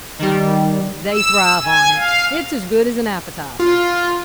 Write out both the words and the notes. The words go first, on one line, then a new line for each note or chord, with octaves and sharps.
"They thrive on it; it's as good as an appetizer."
D#3 G3
E6
G#5
F5
F4